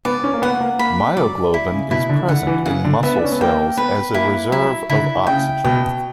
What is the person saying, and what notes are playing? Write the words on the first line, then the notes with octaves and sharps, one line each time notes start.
Myoglobin is present in muscle cells as a reserve of oxygen.
B3 D5
C#4
A#3
B3 F#5
A#3
A#3 B5
F#3 D5
E4
C#3
B2 E4
D3
D3 F#5
E3
C#3 F#5
D3
B3 E5
D4
C#4
B3
A#3 G5
B3 B4
A#3 E4
F#3 E4
D3 E4
C#3 G5
B2 G5